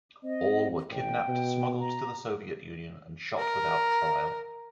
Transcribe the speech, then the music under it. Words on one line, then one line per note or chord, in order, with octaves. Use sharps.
All were kidnapped, smuggled to the Soviet Union, and shot without trial.
C4 D#5
A1 G5
B2
A#5
A#4